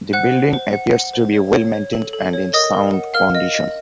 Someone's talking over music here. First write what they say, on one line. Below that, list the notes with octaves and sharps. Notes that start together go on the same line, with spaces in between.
The building appears to be well maintained and in sound condition.
C5 F#5 F#6
C5
C5
F#5
F#5
C5
C#5
C#5
C#5
A4
A4
C#5
A#4 D#5 D#6
A#4
F#5
A#4 F5 F6
D#5
D#5